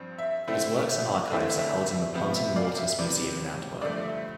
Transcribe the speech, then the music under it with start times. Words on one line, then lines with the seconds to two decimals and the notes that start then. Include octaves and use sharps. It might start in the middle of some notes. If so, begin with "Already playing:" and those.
His works and archives are held in the Plantin-Moretus Museum in Antwerp.
Already playing: G2 F3 C4
0.18 E5
0.47 D3 A3 C4 E4
1.30 D3 A3 C4 E4 E5
1.58 E5
1.87 E5
2.14 C3 F3 B3 E5
2.35 E5
2.56 D5 F5
2.77 E5
2.98 C3 F3 B3 D5
3.81 G2 D3 F3 A3 D5
4.03 E5